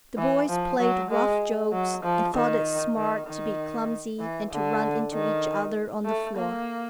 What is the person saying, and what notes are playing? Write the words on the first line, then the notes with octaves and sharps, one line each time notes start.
The boys played rough jokes and thought it smart to be clumsy and to run into each other on the floor.
E3
F3
F#3
G#3
F#3
F3
D#3
D#3
D#3
E3
D3
D#3
A3
A#3